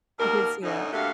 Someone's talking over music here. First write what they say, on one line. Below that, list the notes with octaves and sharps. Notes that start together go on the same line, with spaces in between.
I did see that.
D#2 B2 A#3 A#4
F#2 B2 D3 D#4
G2 C3 A3 A#3 F#4 F5